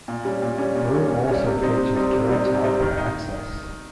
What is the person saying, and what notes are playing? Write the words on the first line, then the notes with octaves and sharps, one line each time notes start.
Brew also features direct hardware access.
A#2
G3 C#4
A#2
G3 C#4
A#2
G3 C#4
A#2
G3 C#4
C3
G3 C4 D#4
C3
G3 C4 D#4
C3
G3 C4 D#4
C3
G3 C4 D#4
D#3
D#4